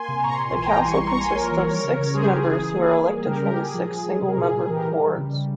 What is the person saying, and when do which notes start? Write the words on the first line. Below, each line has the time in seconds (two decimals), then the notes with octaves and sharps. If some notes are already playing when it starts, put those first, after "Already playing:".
The council consists of six members who are elected from the six single-member wards.
Already playing: A#3 G#5 C6
0.08 C3
0.24 A#2 A#5 C#6
0.34 G#5 C6
0.39 A#2
0.45 G#5 C6
0.56 E3 G#5 C6
0.66 G5 A#5
0.72 E3
0.77 G#5 C6
0.87 G3 C#6
0.97 C6
1.04 G3 A#5 C#6
1.14 A#5
1.20 A#3 G#5 C6
1.35 F3 A#4 C#5
1.51 E3
1.67 G3
1.84 C#3
1.99 C#3
2.14 G3 G#4 C5
2.25 G4 A#4
2.31 C#3
2.36 G#4
2.47 E3
2.62 E3
2.79 A#3 G#4
2.94 A#3
3.10 G3 G#4
3.26 C#3 G4 A#4
3.42 G3 G4 A#4
3.53 G4
3.58 A#2 G#4
3.74 F3
3.89 F3
4.06 G#3
4.22 C3
4.28 A#4
4.37 A#2 G#4
4.53 A#2
4.69 E3 G4 A#4
4.85 G#3
5.01 G3
5.18 C#3
5.33 G3